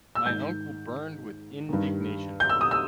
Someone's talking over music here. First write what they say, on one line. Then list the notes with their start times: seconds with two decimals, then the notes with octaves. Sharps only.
My uncle burned with indignation.
0.15 E6
0.26 G#2 D#3 G6
1.69 G2 D#3
2.40 G6
2.49 E6
2.61 D#6
2.71 E6